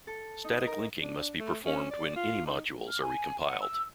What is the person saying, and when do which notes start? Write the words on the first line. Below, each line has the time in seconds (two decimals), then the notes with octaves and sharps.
Static linking must be performed when any modules are recompiled.
0.07 A4
0.44 D#4
0.67 A#4
1.01 D4
1.39 A3
1.65 C#4
1.91 D5
2.16 F4
2.46 D#4
2.88 F6
3.01 G#5
3.44 F#5
3.61 E6